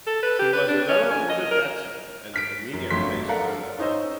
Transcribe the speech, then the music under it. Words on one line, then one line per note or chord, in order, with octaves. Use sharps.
He was a lower order batsman and a medium pace bowler.
A4
B4
G4
B4
D4
C#4
G#5
D#5
A#4
F6 B6 D7
F#2
G1 F2 F#3 A3 C6 B6
A4 A#4 D5 F5 F#5 A#5
C#4 D#4 C5 D#5 E6